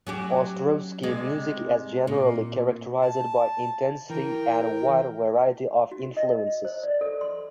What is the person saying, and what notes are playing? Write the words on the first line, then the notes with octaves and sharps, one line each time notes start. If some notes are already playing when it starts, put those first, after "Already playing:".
Ostrowski's music is generally characterised by intensity and a wide variety of influences.
F#3 C#4 G4
C3 G3 G#3
A#2
A5
E3 A#4 G5
F#4
D#5
C5
D5
A4
C6